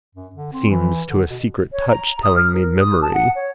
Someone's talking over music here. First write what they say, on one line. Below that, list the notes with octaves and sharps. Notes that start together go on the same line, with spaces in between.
Seems to a secret touch telling me memory.
F#2
D3
C4
E3
D3
B2
C#5
A#5
D#6
F6
A#4
D#6
A5
F#5
C#5